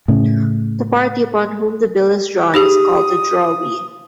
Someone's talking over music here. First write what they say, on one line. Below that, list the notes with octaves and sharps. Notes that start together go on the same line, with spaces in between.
The party upon whom the bill is drawn is called the drawee.
A2 C#3
D#4 G4 G#4 D#6